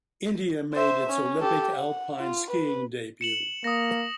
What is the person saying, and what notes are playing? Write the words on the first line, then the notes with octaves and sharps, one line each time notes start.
India made its Olympic alpine skiing debut.
C5 E5
C#4
G4 A4
F#5
F4
B4
C#7 E7 F#7
A#3 D#6 A#6